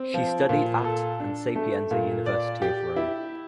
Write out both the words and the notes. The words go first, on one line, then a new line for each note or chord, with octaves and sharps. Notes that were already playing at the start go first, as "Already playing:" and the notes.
She studied at and Sapienza University of Rome.
Already playing: C4
F3
A#2
A4
D4
A3
A#2
D5
G4
E4